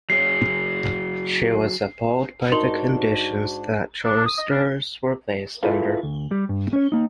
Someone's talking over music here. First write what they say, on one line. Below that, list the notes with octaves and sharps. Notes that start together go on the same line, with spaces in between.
She was appalled by the conditions that choristers were placed under.
F#3 G#4 C#5 C7
G#2 D4 D#4 F#4 A#4 C6 F#7
D4
D#6
D#5
D4
E4 F4 G#4 A4 B4 F5
D2
G3 G4
G2
C#4 C#5
A#3 D#4